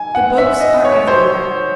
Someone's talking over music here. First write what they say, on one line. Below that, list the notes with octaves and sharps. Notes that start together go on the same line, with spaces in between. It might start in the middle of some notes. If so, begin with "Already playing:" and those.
The books are everywhere.
Already playing: G#5
F#5
E5
D#5
C#5
C5